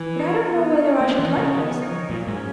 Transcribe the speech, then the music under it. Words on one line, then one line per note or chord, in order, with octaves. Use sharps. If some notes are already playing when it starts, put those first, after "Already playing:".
But I don't know whether I should like Wellesley.
Already playing: E3
D#4 A#4 C#5
B3
D#4 A#4 C#5
A#3 B3
E3
D#4 A#4 C#5
C#3
B3
D#4 A#4 C#5
A#2 F#3
G#2
A#3 C#4